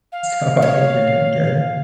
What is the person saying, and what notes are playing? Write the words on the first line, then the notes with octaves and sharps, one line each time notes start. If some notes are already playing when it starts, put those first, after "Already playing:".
so I think you're doing good,
F5
C#5